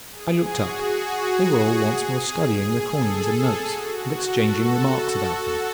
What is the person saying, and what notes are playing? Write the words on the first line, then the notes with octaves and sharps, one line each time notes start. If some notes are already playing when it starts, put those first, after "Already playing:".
I looked up: they were all once more studying the coins and notes, and exchanging remarks about them.
G#4
F#4
G#4
A4
G#4
F#4
A4